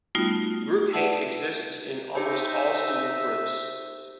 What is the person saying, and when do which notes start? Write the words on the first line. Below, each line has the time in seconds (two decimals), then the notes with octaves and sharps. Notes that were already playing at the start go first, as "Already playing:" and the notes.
Group hate exists in almost all student groups.
0.15 G3 A3 B3 D#4 F4 F#4
0.93 B4 D5 E5 F#5 A5 E6
2.15 D#4 G4 C5 E5